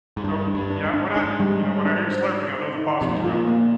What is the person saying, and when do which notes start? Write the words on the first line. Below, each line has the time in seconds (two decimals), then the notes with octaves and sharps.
So, yeah, when I h you know, when I hear slurping, I know the possums are out there.
0.17 G#2
0.24 G2 D4
0.47 D4
0.55 G2
0.70 D4
0.86 G#2
0.94 D4
1.16 G#2 D4
1.40 G3
1.63 G3
1.86 D4
2.09 C5
2.33 D#4
2.55 C5
2.78 D#4
3.01 C3 F3
3.09 A#2
3.16 G#2
3.24 A#2 F4
3.48 A#3